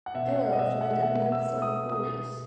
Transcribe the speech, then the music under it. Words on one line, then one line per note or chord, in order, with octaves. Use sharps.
Girls learned alongside boys.
F#5
B2 E5
F#5
D#5
B2 E5
F#5
E5
B2 F#5
E6
B2
D#6
B2 D#6